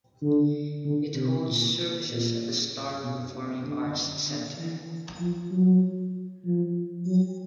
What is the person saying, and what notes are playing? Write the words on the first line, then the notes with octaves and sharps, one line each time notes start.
It holds services at The Star Performing Arts Centre.
D3
D3
C3
A#2
A#2
B2
D3
D3
E3
F3
F#3
F3
F#3